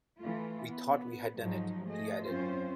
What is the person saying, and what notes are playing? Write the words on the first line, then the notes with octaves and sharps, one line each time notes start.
We thought we had done it, he added.
E3 A3 F4
B3
G#2 F3 F#3 G#3 D#4
A3 G#4 D#5
F#2 C4 C#4 F4 C5